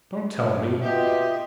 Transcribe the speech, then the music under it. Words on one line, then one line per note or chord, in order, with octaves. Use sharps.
'Don't tell me!
B2 F4 G4 D#5 E5